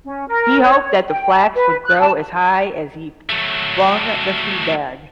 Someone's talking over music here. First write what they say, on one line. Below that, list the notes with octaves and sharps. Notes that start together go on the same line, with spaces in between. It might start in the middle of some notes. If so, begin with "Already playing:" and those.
He hoped that the flax would grow as high as he flung the seedbag.
C#4
A#4
C#5
G5
A5
B4
F#6
A5
F#3 A3